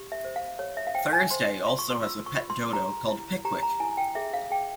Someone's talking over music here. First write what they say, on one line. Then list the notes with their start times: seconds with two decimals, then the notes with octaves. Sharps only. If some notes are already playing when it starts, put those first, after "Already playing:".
Thursday also has a pet dodo called Pickwick.
Already playing: G4
0.12 E5
0.25 C5
0.36 F5
0.59 G4 C#5
0.77 E5
0.87 F5
0.95 C5 G5
1.13 G#5
1.31 C5 C6
1.66 F4 C6
1.79 C#6
1.90 C6
2.01 F4 E6
2.26 C#6
2.37 F4
2.50 C6
2.73 G4 A#5
3.09 E4
3.45 G4 A#5
3.63 A#5
3.80 E4 G#5
3.97 G5
4.15 G#4 E5
4.34 F5
4.51 G#4 G5